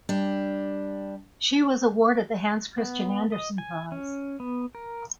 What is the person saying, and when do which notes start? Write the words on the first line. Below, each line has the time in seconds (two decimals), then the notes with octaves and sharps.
She was awarded the Hans Christian Andersen Prize.
0.09 G3 D4 G4
2.78 B3
3.32 D#5
3.58 G#5
3.92 C#4
4.40 B3
4.75 A#4